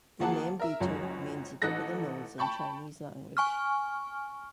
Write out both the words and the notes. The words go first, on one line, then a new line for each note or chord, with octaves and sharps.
The name "Bitou" means the tip of the nose in Chinese language.
D2 F3 A#3 G#4 F#5 A5
A#4 E5
F#1 C#2 F#2 C#5
A1 D#4 A4 F#6 A#6
G5 A5 B5 C#6 G6
G#5 C#6 F6